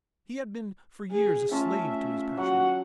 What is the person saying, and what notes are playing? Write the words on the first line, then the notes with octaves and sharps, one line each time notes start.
He had been for years a slave to his passion.
G#4
A3 C#4 F4 E5 A5
F#3 F#4 F#5